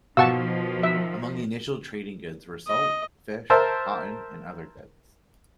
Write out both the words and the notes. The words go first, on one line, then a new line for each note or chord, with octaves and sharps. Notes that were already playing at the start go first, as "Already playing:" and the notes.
Among the initial trading goods were salt, fish, cotton and other goods.
B2 D#3 F3 F5 F#5 A5 C#6 E6
E5
D#5
A#4 C5 E5 A5